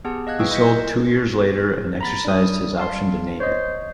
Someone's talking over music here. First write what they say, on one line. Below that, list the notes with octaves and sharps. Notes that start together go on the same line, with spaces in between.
He sold two years later and exercised his option to name it.
B3 G4 G#4 F#5 A5
D#5 F5 F#6 G#6
B4 G5 C#6 D#6 E6
E4 D#5 G6 B6 C#7
G6
A#4
B3 A#5 B5 A6
G3 D4 D#6
F5 A5 C6
C5 C#5 D#5